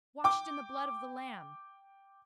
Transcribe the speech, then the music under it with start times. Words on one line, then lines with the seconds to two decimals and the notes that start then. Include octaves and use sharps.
Washed in the blood of the Lamb.
0.24 G5 D6